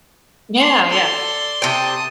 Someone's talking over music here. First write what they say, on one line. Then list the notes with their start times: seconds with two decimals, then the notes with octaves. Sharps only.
Yeah, yeah.
0.61 C6
0.90 A4 D5 C6
1.62 C3 G5 A5 D#6